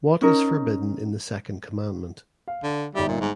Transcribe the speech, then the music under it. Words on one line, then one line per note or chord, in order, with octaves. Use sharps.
What is forbidden in the second commandment?
C#4 D#4 A#4
F5
D3
G1 G3 D#4 E5
A#2
G#2